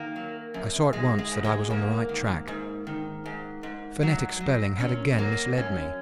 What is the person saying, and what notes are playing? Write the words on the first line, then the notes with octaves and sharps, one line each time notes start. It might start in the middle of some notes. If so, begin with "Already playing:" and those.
I saw at once that I was on the right track; phonetic spelling had again misled me.
Already playing: D#3 A#3
F#3
F#2
G#2 G#3
G#3
G#2
G#3
G#2 A#3
D#3
G#2
D#3
G#2
G#2
F#3
F#3
A#2 C#4
F#3 A#3
F#2 C#4